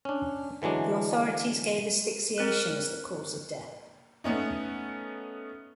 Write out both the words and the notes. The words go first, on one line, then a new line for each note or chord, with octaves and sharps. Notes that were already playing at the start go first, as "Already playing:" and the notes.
The authorities gave asphyxiation as the cause of death.
C#4 D4
D3 E3 F#3 G#3 D4
C4 A#4 F#6
A3 B3 C#4 D#4